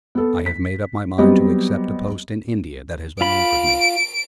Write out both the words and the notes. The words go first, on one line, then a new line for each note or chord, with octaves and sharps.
I have made up my mind to accept a post in India, that has been offered me.
B3 A4
B6
F#3 G3 B3 C4 G4 D#5
F4 B5 D7